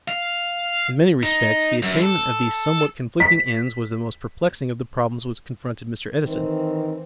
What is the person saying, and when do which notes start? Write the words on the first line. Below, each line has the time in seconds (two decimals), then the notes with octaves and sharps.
In many respects the attainment of these somewhat conflicting ends was the most perplexing of the problems which confronted Mr. Edison.
0.08 F5
1.23 D#4
1.82 F#2
2.01 A4
3.20 B6
6.24 D#3 E3 C4